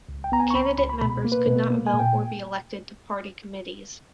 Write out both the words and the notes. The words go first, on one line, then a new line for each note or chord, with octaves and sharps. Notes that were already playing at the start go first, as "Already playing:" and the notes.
Candidate members could not vote or be elected to party committees.
C#2
G5
B3 A#5
G#5
C#6
C#2 B5
C#2 B5
B5
B2 B5
A#3
B4
B2
A#3
G#5
A#2
G5